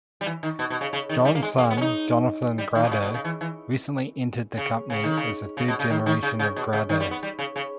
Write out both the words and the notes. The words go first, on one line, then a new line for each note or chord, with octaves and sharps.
John's son, Jonathan Grado, recently entered the company as the third generation of Grado.
G3
E3
D#3
B2
B2
C#3
C#3
D#3
G3
A#3
G#3
A#3
B3
C#4
D#4
G3
D#3
B2
C#3
B2
C#3
E3
E3
C#3
C#3
D#3
C#3
C#3
B2
C#3
D#3
D#3
C#3
C#3
B2
C#3
D#3
G3
B3
G3
C#3
C#3